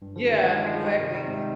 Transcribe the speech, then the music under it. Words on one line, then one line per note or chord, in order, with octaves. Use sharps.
Yeah, exactly,
G2
D3 F3
D#3 G3
F3 G#3
D#3 G3
F3 G#3
F3 G#3
D#3 G3
C3 D#3
D#3 G3
G#2 C3